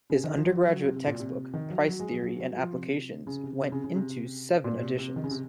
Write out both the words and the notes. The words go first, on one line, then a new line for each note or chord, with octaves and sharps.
His undergraduate textbook, "Price Theory and Applications", went into seven editions.
C#3
D#3
F3
F#3
F#3
C3
C3
A#2
C3
D#3
F#3
F#3
G#3
F#3
F#3
F#3
F3
C3
C#3
C3
C3
C#3
C#3
C3
A#2
C3
C3
D#3
C#3
C3